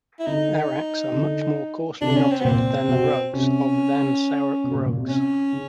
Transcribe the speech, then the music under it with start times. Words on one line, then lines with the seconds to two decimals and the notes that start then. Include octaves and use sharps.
Araks are much more coarsely knotted than the rugs of than Sarouk rugs.
0.19 E4
0.26 D3 D#4
1.14 D3
2.01 C3 D4
2.16 C#4
2.31 C4
2.40 B3
2.45 A#2 C4
2.88 B2
3.33 C3 C#4
4.64 B2
4.75 A#2
4.86 A#2
4.97 C3
5.08 C#4
5.52 C#3